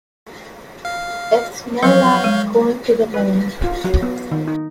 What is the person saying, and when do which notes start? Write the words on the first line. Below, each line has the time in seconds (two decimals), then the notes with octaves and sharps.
It's more like going to the moon!
0.85 F5
1.82 F3 F#3 B4 C#5 F5 G6
2.24 G#3
3.14 B4
3.64 F4
3.84 F#3
4.02 B3
4.31 D#3
4.48 D#4